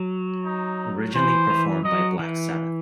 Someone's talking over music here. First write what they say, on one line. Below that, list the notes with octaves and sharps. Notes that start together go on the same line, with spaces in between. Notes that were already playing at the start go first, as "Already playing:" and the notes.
Originally performed by Black Sabbath.
Already playing: F#3
D#4
E3 C5
E3
F#3 D#5
E3